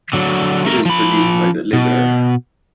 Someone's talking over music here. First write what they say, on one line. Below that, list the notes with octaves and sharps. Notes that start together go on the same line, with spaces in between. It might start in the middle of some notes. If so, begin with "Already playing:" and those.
It is produced by the liver.
D3 F#3
A3 A#4
F3 B5
B2